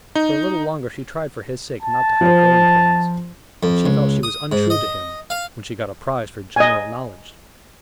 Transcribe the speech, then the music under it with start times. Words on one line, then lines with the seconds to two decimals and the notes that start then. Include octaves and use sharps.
For a little longer she tried for his sake not to have growing pains; and she felt she was untrue to him when she got a prize for general knowledge.
0.15 D#4
1.83 A5
2.21 F3 C5
3.63 F2
3.86 C#2
4.23 D#6
4.52 G#2
4.70 D#5
5.30 F5
6.56 D#5 G#5